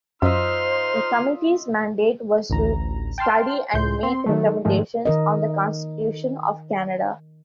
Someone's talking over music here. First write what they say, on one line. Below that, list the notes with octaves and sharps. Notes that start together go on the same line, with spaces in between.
The Committee's mandate was to study and make recommendations on the Constitution of Canada.
F#2 D#4 F4 C5 D#5 E5 C6 F6
A1 D2 A#5
G5 A5 C6 F6
C#2 A2 C6 G6
C4 C6
D#3 F#3 A3
G#2 D#3 F3 G#3 A3
D#3 A#4 D#5